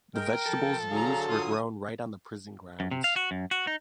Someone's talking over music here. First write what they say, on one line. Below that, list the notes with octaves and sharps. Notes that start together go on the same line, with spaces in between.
The vegetables used were grown right on the prison grounds.
G#3 A#4 G5
F3 A4
D3 F#3 G#4 F5 A#5
F4 G#5 D#6
F#2
C3
F5
F#4
F#2
F#4
D#4